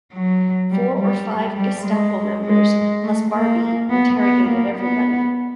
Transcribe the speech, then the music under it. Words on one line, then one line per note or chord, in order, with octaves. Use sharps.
Four or five Gestapo members plus Barbie interrogated everybody.
F#3
G3
G3
G3
G#3
G#3
A3
A#3
B3
B3
A#3
B3